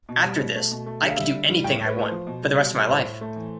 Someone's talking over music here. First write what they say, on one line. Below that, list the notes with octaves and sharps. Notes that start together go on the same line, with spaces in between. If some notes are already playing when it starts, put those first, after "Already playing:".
After this I could do anything I want, for the rest of my life.
B2
G3
B2
A3
B2
A3
D3 E5
F5
G3 E5
D3
G3
A2 G5
A2
B4
A3 B4
F3 C5
B2
G3
B2
G3
A2 C5
A2
A3
E3